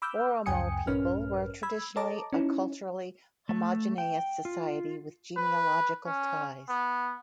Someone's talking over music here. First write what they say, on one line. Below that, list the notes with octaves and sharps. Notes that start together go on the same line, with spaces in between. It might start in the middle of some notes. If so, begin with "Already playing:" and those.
Oromo people were traditionally a culturally homogeneous society with genealogical ties.
B5 D6 E6 F6 G6
C#2 F#2 G5 G#5 D#6 C#7
A#1 G2 C#4 A#4 B4 F6
B5 E6 G#6
A4 C#5 D#5 A5 A#5 D6
C#4 D#4 E4
A3
G5
F4
B4
C#4
B3